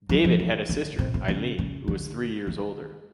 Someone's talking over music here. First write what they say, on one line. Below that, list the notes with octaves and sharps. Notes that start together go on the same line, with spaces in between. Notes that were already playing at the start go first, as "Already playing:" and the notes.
David had a sister, Eileen, who was three years older.
F#3
F3
E3
D3
C3
C3
C#3
C#3
D3
D#3